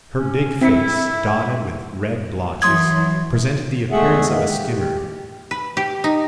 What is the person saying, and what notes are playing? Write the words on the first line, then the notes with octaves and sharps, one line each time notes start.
Her big face, dotted with red blotches, presented the appearance of a skimmer.
C#4
C4 E4 E5 B6 C#7
E3 F#3 C6 D#6 G#6
E2 G#3 A3 G#4 E5 F#5
D#3 E3 G#3 A#3
G4
B4
G4
D#4